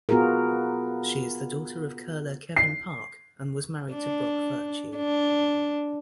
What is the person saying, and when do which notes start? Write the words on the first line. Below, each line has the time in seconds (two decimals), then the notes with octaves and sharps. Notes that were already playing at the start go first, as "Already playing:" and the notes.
She is the daughter of curler Kevin Park and was married to Brock Virtue.
0.09 B3 F4 F#4 G#4 A#4
2.56 C7
3.93 D4
4.97 D4